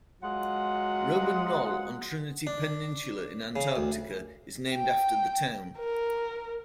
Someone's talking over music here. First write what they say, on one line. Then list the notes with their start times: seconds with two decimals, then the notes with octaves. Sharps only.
Roman Knoll on Trinity Peninsula in Antarctica is named after the town.
0.22 F#3 G#3 F4 F#5
2.47 D4
3.56 C#3
3.76 D2
4.74 G5
5.78 A#4